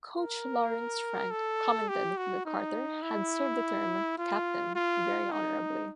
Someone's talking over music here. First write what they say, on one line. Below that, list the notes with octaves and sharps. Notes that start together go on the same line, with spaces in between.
Coach Lawrence Frank commented that Carter had served the term 'captain' very honorably.
A#4
A4
G4
F#4
D#4
E4
F4
F4
D#4